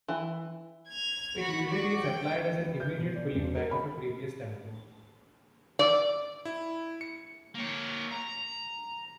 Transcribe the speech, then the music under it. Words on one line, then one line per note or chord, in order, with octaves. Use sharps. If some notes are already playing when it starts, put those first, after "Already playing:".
It usually is applied as an immediate pulling back of a previous tempo.
E3
G#6 F7
F#4 B5
F#4 D5
G5
B4
G6
B2
D5
E1
A#4
B5
D5
E4
C#7
A#3 C#5
A#5